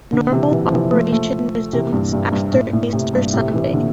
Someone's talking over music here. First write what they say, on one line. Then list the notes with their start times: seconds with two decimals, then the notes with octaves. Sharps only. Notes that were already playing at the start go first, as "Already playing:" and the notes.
Normal operation resumes after Easter Sunday.
0.13 A#2 D3
0.32 C3 E3
0.52 C3 E3
0.65 F3
0.72 C3 E3
0.92 F3 A3
1.12 F3 A3
1.73 C3 E3
1.93 G2 A#2
2.13 G2
2.32 G2
2.53 A2
2.73 A2
2.93 A2 C3
3.12 G2 A#2
3.34 A2 C3
3.53 C3 E3
3.73 A#2 D3